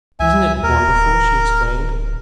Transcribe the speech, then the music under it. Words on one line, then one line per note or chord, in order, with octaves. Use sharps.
"Isn't it wonderful!" she exclaimed.
C#2 E5 G#5
D#2 A#4
D1